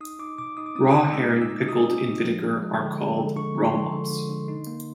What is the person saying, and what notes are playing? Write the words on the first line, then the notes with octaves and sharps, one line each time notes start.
Raw herring pickled in vinegar are called rollmops.
D#4 D#6
D#4 D6
B2 D6
D#4 D#6
D6
C4 D#6
D#4
G#3 E6
D#4
E6
D#4
D#4 D#6
C4
B2
F3
G#3
G#3
D3
G#3
D3
D3 C#6
G#3
C6
F3
D3
D3
D3
D#4
A#3